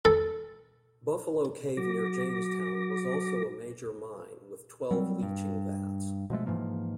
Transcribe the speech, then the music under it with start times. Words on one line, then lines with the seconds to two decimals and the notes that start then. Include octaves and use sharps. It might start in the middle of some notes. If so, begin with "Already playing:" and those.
Buffalo Cave near Jamestown was also a major mine with twelve leaching vats.
0.05 A4
1.77 F#3 F#4 D6 A#6
4.91 F#3 G3 C4
5.23 G2
6.30 B2 F3 G#3 A3
6.46 G#2 E3 F3 A#3